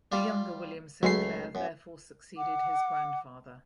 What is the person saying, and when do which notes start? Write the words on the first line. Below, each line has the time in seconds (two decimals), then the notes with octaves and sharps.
The younger William St Clair therefore succeeded his grandfather.
0.12 G3 F4 D5
1.03 C#2 F#3 G#3 A3 E4 C7
1.55 F#2
2.37 F#5 D6